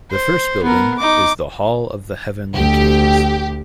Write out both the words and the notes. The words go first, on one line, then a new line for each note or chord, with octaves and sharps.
The first building is the "Hall of the Heavenly Kings".
C5
B3 A#4
D#4 D6
D2 G4